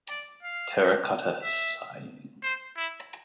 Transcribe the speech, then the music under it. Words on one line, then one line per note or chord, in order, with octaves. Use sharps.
Terracotta sighing.
D5
F5
E5
C5
E4